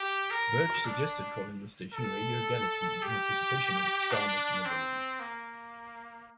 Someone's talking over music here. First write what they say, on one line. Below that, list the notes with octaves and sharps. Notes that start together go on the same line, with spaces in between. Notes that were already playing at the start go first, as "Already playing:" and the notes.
Birch suggested calling the station Radio Galaxy, in anticipation of its star-making ability.
Already playing: G4
A#4
D4
A4
G4
D4
C4
A#3